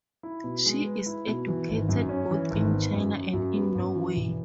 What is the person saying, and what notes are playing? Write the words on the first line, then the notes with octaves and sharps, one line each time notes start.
She is educated both in China and in Norway.
E4
B2
G#3
B4
E4
B2
E3
G#1
F#2
C#4
E3
G#1
B3
F#2
F#3
F#2
B3
F#2
E3
E1